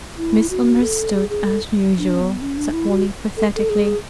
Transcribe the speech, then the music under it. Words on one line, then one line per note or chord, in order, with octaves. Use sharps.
"Misunderstood as usual," said Wally pathetically.
E4
F#4
A4
G#4
G#4
A4
D4
C#4
B3
C#4
D4
E4
F#4
A4
A4
G#4